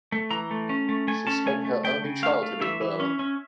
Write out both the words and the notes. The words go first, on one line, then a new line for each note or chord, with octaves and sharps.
She spent her early childhood in Burma.
A3
E3 A#5
A3
C#4
A3
A3 G#5
C#4 A5
A3 G#5
A3
A3 G5
C#3
A3 F5
A3
E3 E5
E3
C#4
C#4